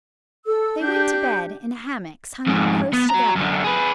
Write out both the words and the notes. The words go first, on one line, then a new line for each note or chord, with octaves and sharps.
They went to bed in hammocks hung up close together.
A4 E6
D4 G4 G6
F2 G#2
B3
F#3 A#5
F#2 D3
G#4 B4